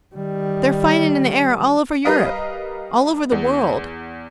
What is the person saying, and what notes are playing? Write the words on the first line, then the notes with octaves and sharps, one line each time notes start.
They're fighting in the air all over Europe--all over the world.
D#3 G3
G3 A#4 B4 D#5 F5
E2